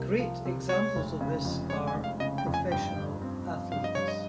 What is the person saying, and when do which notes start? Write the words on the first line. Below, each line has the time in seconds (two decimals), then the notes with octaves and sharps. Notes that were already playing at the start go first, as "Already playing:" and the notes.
Great examples of this are professional athletes.
Already playing: C2 C3 A#3
0.20 F3
0.45 C3
0.69 G#3 C#5
0.96 F1
1.21 C#3
1.45 F2
1.70 G#3 C#5
1.88 G#5
1.95 F1
2.04 F5
2.20 C#3 D#5
2.38 G5
2.46 F2
2.54 G#5
2.71 G2 G5
2.96 G2
3.22 C4
3.47 F3
3.72 G2 F5
3.84 D#5
3.95 G2 C#5
4.08 D#5